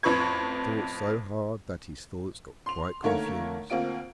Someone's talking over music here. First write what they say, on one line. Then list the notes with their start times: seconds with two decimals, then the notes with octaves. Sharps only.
He thought so hard that his thoughts got quite confused.
0.03 A1 F2 B4 C#6 G#6
2.66 C6 F7
3.02 D3 D#3 A3 A#3 A#4 C#5
3.70 D2 A#3 C4 F4 D7